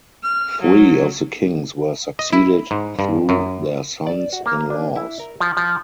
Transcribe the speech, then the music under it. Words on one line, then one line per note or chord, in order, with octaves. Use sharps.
Three of the kings were succeeded through their sons-in-laws.
F6
F#3
D#5
E4
G#2
G2
F#2
D5
F#4
A#3
D4
E4
A#4
F3
F3